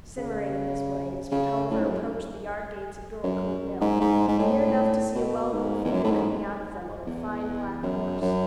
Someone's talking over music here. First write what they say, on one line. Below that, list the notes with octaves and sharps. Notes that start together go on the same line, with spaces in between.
Simmering in this way, Mr. Tulliver approached the yardgates of Dorlcote Mill, near enough to see a well-known figure coming out of them on a fine black horse.
C#3
C#3
A2
G#2
F#2
F#2
G#2
G#2
G#2
A2
B2
G#2
E2
F#2
A2
G#2
E2
F#2
F#2